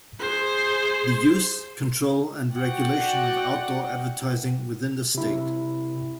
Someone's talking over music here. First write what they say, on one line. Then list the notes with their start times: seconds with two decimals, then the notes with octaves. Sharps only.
The use, control and regulation of outdoor advertising within the state.
0.20 G#4 C5
2.53 F#4 D5 F#5 G5
5.15 C3 E4